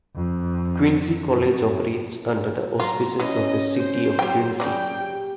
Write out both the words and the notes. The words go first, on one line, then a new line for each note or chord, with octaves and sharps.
Quincy College operates under the auspices of the City of Quincy.
F2
F#2
F#3 F4 A#5
E3 C#4 D#5
C5
F#3 G4 G5
C#3 D5 G5
G4